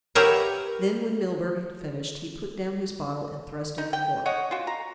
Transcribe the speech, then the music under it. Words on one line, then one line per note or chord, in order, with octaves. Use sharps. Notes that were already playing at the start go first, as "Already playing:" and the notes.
Then, when Milburgh had finished, he put down his bottle and thrust in the cork.
G4 A#4 B4 C#5 E5 F#5
D#4
G5
C#5 D#5 F#5
F4 F#4
A#5